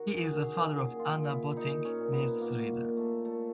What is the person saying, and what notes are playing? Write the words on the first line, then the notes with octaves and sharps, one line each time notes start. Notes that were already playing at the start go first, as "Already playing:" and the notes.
He is the father of Anna Botting, newsreader.
Already playing: D#3 F#4
G#4
F#2
G#4
A#2 G#4
F4
A#2
E4
A#2 D#4
C#4
A#2
B3
A#2 A#3
A#2
A3
A#2 A3